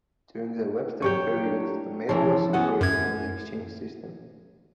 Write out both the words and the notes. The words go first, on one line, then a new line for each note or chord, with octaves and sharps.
During the Webster period the mill was operated on the exchange system.
F#3 G4 C#5 C#6 G6
D4
C3 E3 F3 E4 C#5 A5
B3 C#4 F#4 G#4 F#5
F#2 G#6